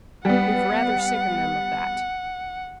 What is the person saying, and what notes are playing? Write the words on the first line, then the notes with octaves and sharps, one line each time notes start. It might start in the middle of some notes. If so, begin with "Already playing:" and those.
We've rather sickened them of that.
G3 B3 F#5